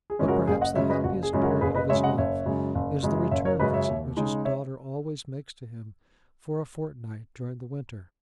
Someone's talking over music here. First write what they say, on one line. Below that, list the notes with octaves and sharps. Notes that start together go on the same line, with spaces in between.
But perhaps the happiest period of his life is the return visit which his daughter always makes to him for a fortnight during the winter.
G#4
F#2 C#3 G#3 C#4
F#4 A#4
F#1 G#4
D#5 F#5
F#2 C#3 G#3 C#4 C#5 E5
B4 D#5
F#1 F#4
G#4
F#2 C#3 G#3 C#4
F#4 A#4
F#1 G#4 B4
B4 D#5
F#2 C#3 G#3 C#5 E5
D#5 F#5
F#1 C#5 E5
F#2 C#3 G#3
F#1
F#2 C#3 G#3
F#1 C#5 E5
A#4 C#5
F#2 C#3 G#3 B4 D#5
C#5 E5
D#2
C#3 G#3 D#4
C#5 E5